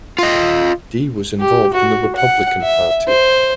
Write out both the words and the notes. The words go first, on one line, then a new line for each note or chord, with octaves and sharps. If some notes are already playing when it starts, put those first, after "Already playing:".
Dee was involved in the Republican Party.
F4 D#5
G4
F#4
F#5
E5
C5